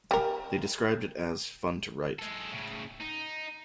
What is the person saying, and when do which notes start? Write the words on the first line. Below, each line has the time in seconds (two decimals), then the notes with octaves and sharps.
They described it as "fun to write".
0.11 G3 A#4
2.19 G#3 A4
2.52 A2 C#3
3.00 D#4